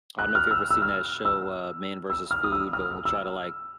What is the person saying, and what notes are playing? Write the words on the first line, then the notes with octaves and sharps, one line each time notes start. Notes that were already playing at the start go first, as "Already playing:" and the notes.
I don't know if you've ever seen that show, uh, Man v. Food, but we'll try to, like,
F#6
F6
E6
E6
F6
E6
E6
F6
D#6
E6
F6
E6